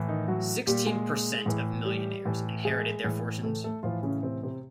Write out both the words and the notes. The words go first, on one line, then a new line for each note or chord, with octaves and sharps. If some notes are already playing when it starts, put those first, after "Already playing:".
Sixteen percent of millionaires inherited their fortunes.
Already playing: A2 E3
D#3 D#4
F#3 F#4
A#2 G3 G4
G#3 G#4
A2 E3
G3 G4
A2 E3
G#3 G#4
A2 E3
A3 A4
A3 A4
A2 E3 F3 F4
C#3 C#4
C3 C4
C3 C4